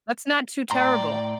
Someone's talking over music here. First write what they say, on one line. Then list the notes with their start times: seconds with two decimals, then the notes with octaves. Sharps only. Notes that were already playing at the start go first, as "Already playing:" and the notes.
That's not too terrible.
0.71 A2 D5 G5 A#5 C6